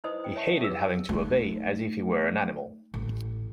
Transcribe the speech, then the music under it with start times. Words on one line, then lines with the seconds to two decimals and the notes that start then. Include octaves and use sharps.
He hated having to obey as if he were an animal.
0.04 D#4 E4 B4 C5 D#5 D#6
0.24 G5
0.36 C#5 E5 A5 C#6
0.60 G4 G#4 B4 E6
1.09 A3 D#4
2.94 A1